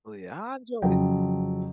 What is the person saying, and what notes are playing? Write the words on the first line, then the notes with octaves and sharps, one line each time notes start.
Really, I enjoyed it.
F2 C#3 F#3 G5